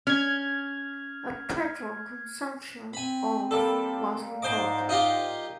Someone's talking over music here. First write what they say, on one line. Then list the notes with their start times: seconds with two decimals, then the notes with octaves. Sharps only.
A petrol consumption of was recorded.
0.07 C#4 F6 G#6
2.93 C4 G#5 B5
3.51 G3 A#3 A4
4.42 G#2 C5 D#5 G5 A#5 D6
4.89 D#4 F4 G4